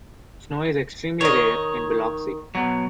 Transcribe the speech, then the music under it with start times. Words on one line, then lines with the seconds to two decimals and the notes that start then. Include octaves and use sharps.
Snow is extremely rare in Biloxi.
1.21 D#3 C#5 D#5
2.55 B2 F#3